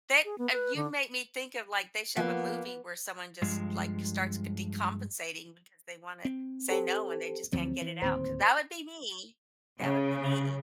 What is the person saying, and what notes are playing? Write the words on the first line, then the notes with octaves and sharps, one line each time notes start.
thick of You'd make me think of, like, they should have a movie where someone just, like, starts ca decompensating because they wanna say no and they just can't get it out, 'cause that would be me! That would be me.
G#4
B3
B4
D3
F3 A#3 B3 F#5
G2 F3 G#3
C4
G4 A4 C5
D2 F3 F#3 C4
E3
D1 D#2 C4 C5
C#3